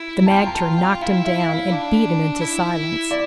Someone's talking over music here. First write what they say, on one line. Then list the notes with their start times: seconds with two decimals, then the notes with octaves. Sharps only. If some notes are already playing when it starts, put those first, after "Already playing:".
The magter knocked him down and beat him into silence.
Already playing: E4
0.26 A5
0.30 F4 G5
0.46 A#5
0.54 A5
0.78 G5
1.01 E4 F5
1.24 E5
1.48 F5
1.71 D4
2.41 E4
3.11 D5